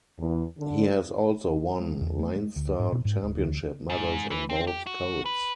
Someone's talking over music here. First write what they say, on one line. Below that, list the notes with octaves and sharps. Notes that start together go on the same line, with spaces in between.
He has also won Leinster Championship medals in both codes.
E2
D3
G#3
E2
A3
G#3
D2
G#2
B2
G#2
D1
D2
G#2
E3
C4
G4
F#4
B4